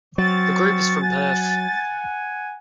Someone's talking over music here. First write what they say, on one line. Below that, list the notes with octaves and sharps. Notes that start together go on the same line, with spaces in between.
The group is from Perth.
F#3 C4 C#4 C#6 A6
F#5 G#5